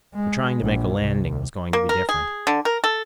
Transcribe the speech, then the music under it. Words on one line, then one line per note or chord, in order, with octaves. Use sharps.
But trying to make a landing was going to be different.
G#3
A#1
C2
A#3
A#4
G#4
D3
A#4
A4